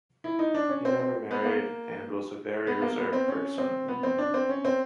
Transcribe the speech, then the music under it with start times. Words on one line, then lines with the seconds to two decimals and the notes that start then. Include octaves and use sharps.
He never married and was a very reserved person.
0.24 E4
0.39 D#4
0.54 D4
0.69 C#4
0.85 C4
1.00 C4
1.31 B3
1.45 A#3
2.67 B3
2.82 A#3
2.98 B3
3.13 C4
3.28 C#4
3.58 C4
3.88 B3
4.03 C4
4.18 D4
4.34 C4
4.49 C#4
4.65 C4